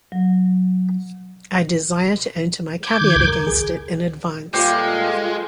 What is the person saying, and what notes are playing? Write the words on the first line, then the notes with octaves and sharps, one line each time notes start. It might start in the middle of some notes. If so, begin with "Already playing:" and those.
I desire to enter my caveat against it in advance.
F#3
D6 G6 G#6
D#3
C#2 F#2
A#4
C#2 G#4
A#2 G3 G#3 F4 G4 A4 C5